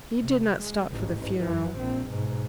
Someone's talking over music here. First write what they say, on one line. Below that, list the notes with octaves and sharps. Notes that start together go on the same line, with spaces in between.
He did not stop for the funeral.
C3
G#3
A1 G#2
F#2 E3
A#1 C4
G#2 B2